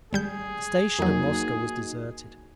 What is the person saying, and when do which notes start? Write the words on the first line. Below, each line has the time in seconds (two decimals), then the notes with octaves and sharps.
The station at Moscow was deserted.
0.13 G#1 G3 G#4 G6
0.99 F2 F#3 A#3 D#4 F#4